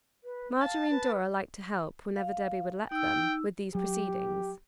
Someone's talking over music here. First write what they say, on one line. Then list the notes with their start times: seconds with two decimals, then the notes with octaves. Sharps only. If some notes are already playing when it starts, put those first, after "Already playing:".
Marjorie and Dora liked to help, whenever Debby would let them, with these proceedings.
0.24 B4
0.61 F5 A5
0.90 B4
2.16 F5
2.92 D#4 G5 E6
3.75 F#3 G4